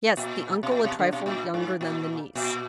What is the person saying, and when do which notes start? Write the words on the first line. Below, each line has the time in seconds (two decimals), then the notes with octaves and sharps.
"Yes; the uncle a trifle younger than the niece."
0.17 A#2
0.63 B2
0.71 A#2
0.85 B2
0.99 D3
1.13 B2
1.26 A#2
1.54 G#2
1.81 A#2
2.35 A#2